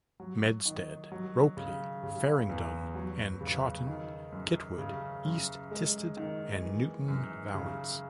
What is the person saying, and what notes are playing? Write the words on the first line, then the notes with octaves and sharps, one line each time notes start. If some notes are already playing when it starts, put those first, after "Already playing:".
Medstead, Ropley, Farringdon and Chawton, Kitwood, East Tisted and Newton Valence.
F#3
D#3
F#3
C#3
C#3
E2
F#3
C#3
D#3
F#2
C#3
F#2
G#3
D#3
E3
F#2
C#3